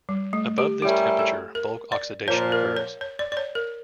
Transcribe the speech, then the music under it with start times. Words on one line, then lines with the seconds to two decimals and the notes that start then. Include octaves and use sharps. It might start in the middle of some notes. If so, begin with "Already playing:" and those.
Above this temperature bulk oxidation occurs.
0.09 G3
0.33 A3
0.58 G4
0.82 A2 G3 C#4 E4 G4 A#4
1.19 A4
1.55 A#4
1.92 D5
2.28 A#2 F3 A#3 C#5
2.52 A#4
2.76 C#5
3.01 C#5
3.19 D5
3.32 D5
3.37 C#5
3.55 A#4